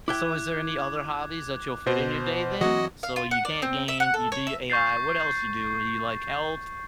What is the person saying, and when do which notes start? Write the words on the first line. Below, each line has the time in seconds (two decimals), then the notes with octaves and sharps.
Uh, so is there any other hobbies that you'll fit in your day then? So you can't game, you do your AI, what else you do? Well you like health?
0.08 E4 E5 G5 D6 F#6 G#6
1.86 B2 C5
2.61 E3 F#3 C4 F#4 D#5
3.03 F5
3.16 F4
3.31 F#5
3.45 D5
3.62 C4
3.88 E5
4.00 F#5
4.14 A4
4.32 C#5
4.47 E5
4.70 C#6 G6 A6 C7